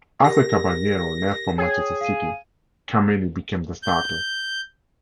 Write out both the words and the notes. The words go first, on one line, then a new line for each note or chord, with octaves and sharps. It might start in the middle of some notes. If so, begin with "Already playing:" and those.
After Caballero left for Manchester City, Kameni became the starter.
G4 A#4 A#6
G#4 C#5 G5 G#6
F5 D#7
G6